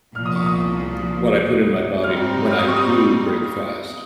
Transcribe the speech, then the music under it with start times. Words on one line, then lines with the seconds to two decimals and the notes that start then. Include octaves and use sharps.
uh, w what I put in my body when I do break fast.
0.15 C2 A#2 F3 F6
0.26 D#6
0.36 C#6
0.46 D#6
2.03 G#2 G3 C4 D#4 F6
2.51 F6
2.59 D#6
2.68 C#6
2.76 D#6